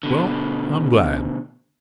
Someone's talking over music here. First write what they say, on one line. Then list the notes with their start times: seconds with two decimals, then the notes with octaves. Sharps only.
Well, I am glad.
0.03 B2 D3